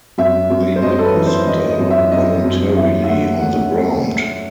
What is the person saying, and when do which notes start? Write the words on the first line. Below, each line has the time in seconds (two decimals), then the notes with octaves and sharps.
They never settle voluntarily on the ground.
0.18 F#2 E5
0.50 F#2
0.76 C5
0.82 F#2 D#5
0.98 A4
1.05 B4
1.15 E3
1.26 C5
1.47 E3 D#5
1.69 D#5
1.79 F#2
1.90 E5
2.12 F#2 D#5
2.44 F#2
2.77 F#2 E5
3.04 E5
3.09 A3 F#5
3.41 A3 F#5
3.73 A3
4.06 A3